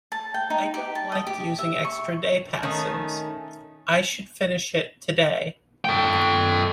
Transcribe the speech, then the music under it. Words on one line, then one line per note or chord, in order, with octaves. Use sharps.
I don't like using extra day passes; I should finish it today.
A5
G5
D#4
G4
A5
D#5
G4
E5
C#6
D#3 A3 C#4 D#4
A4 G5